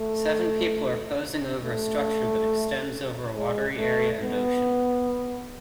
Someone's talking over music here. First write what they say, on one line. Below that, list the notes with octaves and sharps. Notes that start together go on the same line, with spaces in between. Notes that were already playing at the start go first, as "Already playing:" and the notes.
Seven people are posing over a structure that extends over a watery area and ocean.
Already playing: A3
A3
G#3
A3
B3